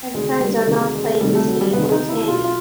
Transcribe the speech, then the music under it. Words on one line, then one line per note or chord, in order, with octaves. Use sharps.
My friends are not playing this game for candy.
D2 C3 D#3 G#3
G3
D2 C3 D#3 G#3
G#3
D2 C3 D#3 G3
A3
F#3
G3
D2 C3 D#3 B3
D#4
E4
B1 B2 F4
F4